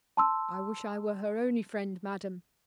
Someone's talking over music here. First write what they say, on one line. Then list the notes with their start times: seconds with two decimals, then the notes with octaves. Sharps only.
'I wish I were her only friend, madam.
0.17 A5 C6 E6